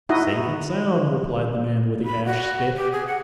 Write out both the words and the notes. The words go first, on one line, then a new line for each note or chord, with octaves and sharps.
'Safe and sound,' replied the man with the ash stick.
D#4 E4 F#4 D#5
B5
F#4
G4
G#4
F#5